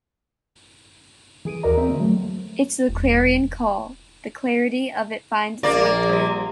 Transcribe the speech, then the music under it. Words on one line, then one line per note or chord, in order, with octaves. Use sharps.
It's the clarion call, the clarity of it finds its way through.
E3 G#4 D7 D#7
D#2 F#4 A#4 D5 D#5 A#5
C4 C5 E5
D3 A#3
F#3 A3
E1
A#1 A#3 D5 F5 A6
G3 G4